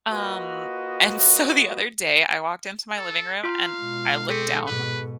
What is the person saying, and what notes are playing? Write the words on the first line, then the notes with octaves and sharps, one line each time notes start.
Um, and so the other day, I walked into my living room and I looked down,
A#3 F4 F#4 B4 D#5
A4
F4 F5 C6
B2 G#3
C4 G#4 A4 C#7
G#2 B2 B4